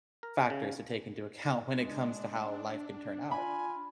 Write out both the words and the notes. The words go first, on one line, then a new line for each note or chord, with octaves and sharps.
factors to take into account when it comes to how life can turn out.
A#4
C#3
G#3 D4
F4 G#5 B5